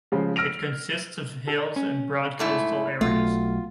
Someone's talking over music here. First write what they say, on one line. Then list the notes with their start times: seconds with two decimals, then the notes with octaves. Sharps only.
It consists of hills and broad coastal areas.
0.12 C#3 F3 G#3
0.36 E6 F6 A#6 D7 F7
1.47 A4
1.76 C#4
2.39 G#2 A3 E4
3.01 B1 A3 F4